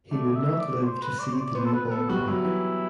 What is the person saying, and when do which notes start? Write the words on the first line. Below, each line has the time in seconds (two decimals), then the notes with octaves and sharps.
He would not live to see the new ballpark.
0.11 A3 D5
0.36 E5
0.59 D5
0.83 C5
1.02 B4
1.19 D5
1.33 C5
1.37 D5
1.55 B3 C5
1.65 A4
1.73 B3 B4
1.86 B4
1.91 B3 A4
2.09 G3 F#4
2.27 F#3 E4
2.45 E3